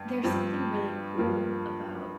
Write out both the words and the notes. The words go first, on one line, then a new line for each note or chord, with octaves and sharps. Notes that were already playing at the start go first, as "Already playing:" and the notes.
there's something really cool about
Already playing: G2
G2 F3 C4
G2 F3 A#3 F4